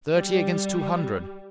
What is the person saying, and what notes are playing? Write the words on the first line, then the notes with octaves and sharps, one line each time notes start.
Thirty against two hundred!
G3